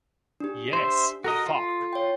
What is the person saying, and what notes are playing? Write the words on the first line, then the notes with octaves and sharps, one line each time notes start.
Yes, fuck!
D4 G4
C5 E5
F#4 A4 A#4 D#5
F4
C#5 G5